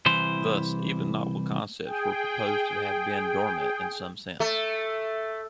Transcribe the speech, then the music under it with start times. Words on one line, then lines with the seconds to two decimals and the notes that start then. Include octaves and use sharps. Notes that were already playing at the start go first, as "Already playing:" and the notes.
Thus, even novel concepts were proposed to have been dormant in some sense.
0.06 C2 E3 C5
1.86 G#4 G5
4.40 A3